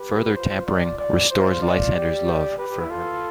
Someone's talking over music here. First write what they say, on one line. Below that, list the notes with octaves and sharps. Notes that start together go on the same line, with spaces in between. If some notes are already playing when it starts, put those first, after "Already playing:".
Further tampering restores Lysander's love for Hermia.
Already playing: G4 B4
F4 C5
D5
D5
F4 C5
D5
G4
G4 B4
G4
E4
F4 A4